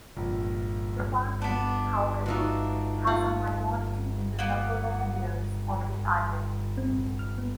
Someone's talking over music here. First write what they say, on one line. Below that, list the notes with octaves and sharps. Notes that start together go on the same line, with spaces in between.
The party, however, has a minority in the number of mayors on the island.
A#1
B3 D4
E3 D4 D#4 F4 F#4
F4 F#5
A#3 B3 F#5
C4
A#1
F6
B3